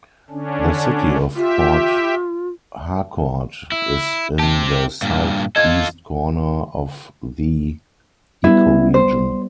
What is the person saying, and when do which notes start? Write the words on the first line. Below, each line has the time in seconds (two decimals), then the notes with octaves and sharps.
The city of Port Harcourt is in the southeast corner of the ecoregion.
0.30 D3 C#4 D4
1.36 F4 G4 E5
3.72 E4
4.39 C4 G4 A5
5.02 G2 A#2
5.56 F4 A4 D#5 G#6
8.44 G3 B3 E4
8.94 C5